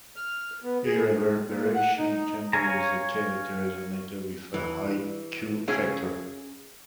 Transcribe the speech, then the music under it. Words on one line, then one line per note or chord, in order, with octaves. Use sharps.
A reverberation chamber is a cavity resonator with a high Q factor.
F6
B3
G#4
A2
A#2
F#5
D#4
C#5 F5 G#5 A#5
E3
C#4 G#4 E5 F5